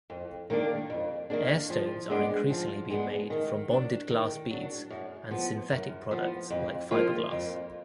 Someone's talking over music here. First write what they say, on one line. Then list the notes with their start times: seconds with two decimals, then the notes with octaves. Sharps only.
Airstones are increasingly being made from bonded glass beads and synthetic products like fiberglass.
0.10 F2
0.50 D#3 A#3 D4
0.90 F2
1.30 D#3 A#3 D4
1.70 F3
2.10 G#3 B3 D4
2.50 F3
2.90 G#3 B3 D4
3.30 D#3
3.71 F#3 D4
4.10 D#3
4.51 F#3 D4
4.90 F#2
5.31 F3 B3
5.71 F#2
6.11 F3 B3
6.50 F2
6.91 F3 A#3 F4
7.31 F2